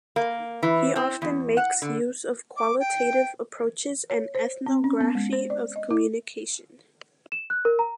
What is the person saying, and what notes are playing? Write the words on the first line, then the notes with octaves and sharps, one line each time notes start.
He often makes use of qualitative approaches and Ethnography of Communication.
A#3
E3
C4
E2
F#5
D3
D6
G5
C#5
C5
C4
C#4
B3
G#3
C5
D5
D#5
E4
E7
F#6
A#4
A#5